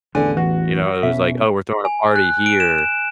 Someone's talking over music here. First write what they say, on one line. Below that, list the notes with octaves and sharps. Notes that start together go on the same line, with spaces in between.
You know, it was like, "Oh, we're throwing a party here,"
A1 E2 D3 G#5
E3 F#4
B2 C#4 E5
G#5
F#6
D7
E7
E7